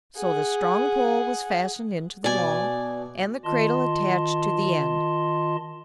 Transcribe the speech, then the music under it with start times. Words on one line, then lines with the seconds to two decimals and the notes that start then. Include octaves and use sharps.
So the strong pole was fastened into the wall, and the cradle attached to the end.
0.17 G#4 F#5
2.24 B2 D5 G#5
3.45 D#3 F4 D#5 A5 C6